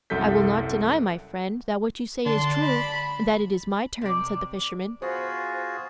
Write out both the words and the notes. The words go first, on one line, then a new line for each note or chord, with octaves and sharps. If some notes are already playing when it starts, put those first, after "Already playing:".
"I will not deny, my friend, that what you say is true, and that it is my turn," said the Fisherman.
C2 F#2 A4 G6 B6
D3 D5 A5 C6
B5
C3 D5
B3 F4 F#4 G#4 C5